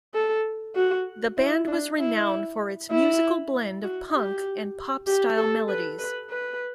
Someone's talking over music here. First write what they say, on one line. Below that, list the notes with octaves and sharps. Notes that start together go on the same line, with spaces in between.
The band was renowned for its musical blend of punk and pop-style melodies.
A4
F#4
E4
D4
E4
E4
F#4
G4
G4
A4
B4
B4
B4